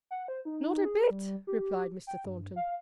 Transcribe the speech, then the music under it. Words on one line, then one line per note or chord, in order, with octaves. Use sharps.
'Not a bit,' replied Mr. Thornton.
F#5
C5
D#4
G#4
G3
G4
G5
G2
F5